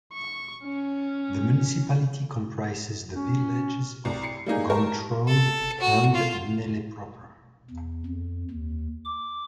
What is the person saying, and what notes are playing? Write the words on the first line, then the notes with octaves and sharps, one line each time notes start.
The municipality comprises the villages of Gontrode and Melle proper.
C#6
C#4
C#4
C2
C7 C#7
G3 A#3 D#4 G#4
G4 A#4 A5 C#6
A4
F#4
F4
E2
F2
D#2
D6